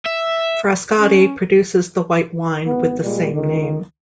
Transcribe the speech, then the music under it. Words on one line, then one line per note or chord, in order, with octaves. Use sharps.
Frascati produces the white wine with the same name.
E5
C#4
G#1 B3
A#2 G3 G#3
C#2 D#3